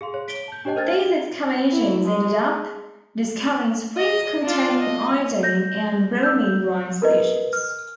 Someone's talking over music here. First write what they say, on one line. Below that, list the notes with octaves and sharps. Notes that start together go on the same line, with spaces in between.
These excavations ended up discovering springs containing iodine and bromine brine solutions.
G#4 F5 C6
C#5
B6 D7 G7
A5 G6
D4 G4 C#5 D#5 G5 A5
A#4 C5 D#5 F6 G#6 A6
E4
G#3
D#5
D4 F4
D#5
G6 A#6
E6 G6
A#4 B4 D#5
F6